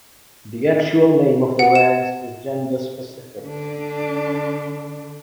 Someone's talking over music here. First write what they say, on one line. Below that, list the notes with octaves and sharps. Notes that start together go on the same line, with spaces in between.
The actual name of the ranks is gender-specific.
F#5
E7
D3 D4